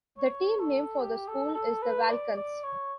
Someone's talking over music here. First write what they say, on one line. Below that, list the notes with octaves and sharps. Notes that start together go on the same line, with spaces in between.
The team name for the school is the Vulcans.
C#5
A4
G4
A4
A4
B4
D5
D5
C#5